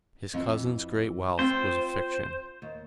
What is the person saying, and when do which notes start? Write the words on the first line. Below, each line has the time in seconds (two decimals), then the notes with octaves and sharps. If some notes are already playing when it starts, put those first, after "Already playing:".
His cousin's great wealth was a fiction.
0.34 F2 E3
1.39 C4 F4 C5 G5
2.62 D#2